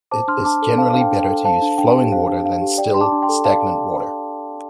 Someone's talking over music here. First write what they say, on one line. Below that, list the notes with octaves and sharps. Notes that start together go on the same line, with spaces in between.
It is generally better to use flowing water than still, stagnant water.
C5 A5 D6
D4 C6 F6
D4 A5 D6
A4
C5 F5 A5
D4 F5
G5
D4
G5
A4
C5 F5 A5
D4
D4 G5
G4
C5 F5
D4
D4 F5
G4
D5 G5
D4 C6
A5 D6
D4
G5 C6
A4
D5 F5 A5